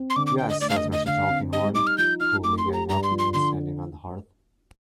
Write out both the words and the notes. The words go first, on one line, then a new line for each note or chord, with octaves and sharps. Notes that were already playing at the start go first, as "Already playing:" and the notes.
"Yes," says Mr. Tulkinghorn, coolly getting up and standing on the hearth.
Already playing: C4
C6
D3 D6
D6
D4 G5
D#5
A3 D5
F5
D#5
D3
D#5
D3 F5
C4
G3 D#5
D#4 D6
F6
F3 G6
D#4 F6
A3 D6
C6
G4
A#5
G2 A#5
C6
F3
C6
D3 C6